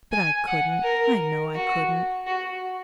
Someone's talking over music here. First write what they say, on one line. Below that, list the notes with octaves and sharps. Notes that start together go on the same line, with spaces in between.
But I couldn't, I know I couldn't.
G#5
F#5
A#4
F#4
F#4